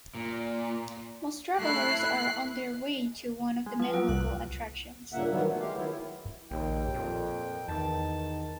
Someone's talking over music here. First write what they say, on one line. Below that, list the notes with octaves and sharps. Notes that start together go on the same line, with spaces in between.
Most travelers are on their way to one of the many local attractions.
A#2
A3 E4 F#6 C7
G#3
F3 F4 B4
F#3 A#3
C2 F#6
G2 A#2 C#3 A#3 E5 F#5
D#3 E3 F#3 G3 B3
A3
G#3 G4 F5
D#3 F#3 B3 E4
A#1 D#2 G5
F2 A#2
E2 D#3 A5